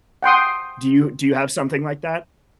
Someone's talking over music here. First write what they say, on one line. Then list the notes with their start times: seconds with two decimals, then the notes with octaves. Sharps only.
Do you Do you have something like that?
0.23 F#5 G5 C6 D#6